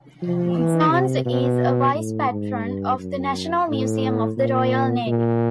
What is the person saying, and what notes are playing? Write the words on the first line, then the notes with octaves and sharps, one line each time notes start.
Jones is a Vice-Patron of the National Museum of the Royal Navy.
F3
E3
C3
B2
A2
G#2
G2
F#2
A2
A#2
A#2